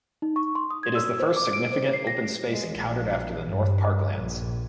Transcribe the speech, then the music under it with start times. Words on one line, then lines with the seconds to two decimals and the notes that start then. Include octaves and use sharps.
It is the first significant open space encountered after the North Parklands.
0.22 D#4
0.36 C#6
0.55 C6
0.71 D#6
0.83 G#6
0.95 E6
1.20 C5
1.36 D6
1.53 D7
1.72 C5
1.93 C7
2.07 A#6
2.47 G#3
2.78 A#1
3.45 G2
4.16 A#1